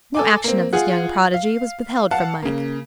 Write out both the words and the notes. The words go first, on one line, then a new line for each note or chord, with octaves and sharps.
No action of this young prodigy was withheld from Mike.
A4 G#5 D6
A#3 C4
F4 G#4 F#5
F5
F5 F#5 A5
C#3 A#3